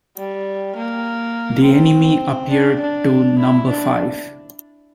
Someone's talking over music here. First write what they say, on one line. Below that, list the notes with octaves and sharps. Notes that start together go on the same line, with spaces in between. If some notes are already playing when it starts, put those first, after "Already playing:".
The enemy appeared to number five.
G3
A#3
C4
D4
D4
E4
D4